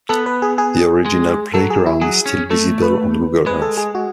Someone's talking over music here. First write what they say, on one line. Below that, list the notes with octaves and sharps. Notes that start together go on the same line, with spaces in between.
The original playground is still visible on Google Earth.
B3 A4
B4
G#4
G#4
G#3
F#3 A4
G#4
E4
F#3 G#4
C#4
A3 A4
B4
G#3 B4
A4
G#4
F#4